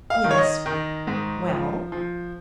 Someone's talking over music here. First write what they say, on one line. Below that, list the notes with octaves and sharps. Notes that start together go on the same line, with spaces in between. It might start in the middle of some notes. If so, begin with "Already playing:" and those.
"Yes." "Well?"
F5
D#3
C#5
D#5
D#3
G#2
F3
F3